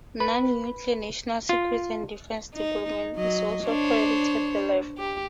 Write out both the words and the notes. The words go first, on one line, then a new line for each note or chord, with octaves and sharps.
Non-nuclear national security and defense development is also a priority at the lab.
B4
F4
D#4
F#3 D#5
D4 C5 C#5
G4